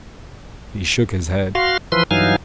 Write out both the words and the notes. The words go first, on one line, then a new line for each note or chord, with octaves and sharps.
He shook his head.
F#4 F5 C6
E3 F3 B4 C6
G2 E3 F#3 D#4 F5 G#5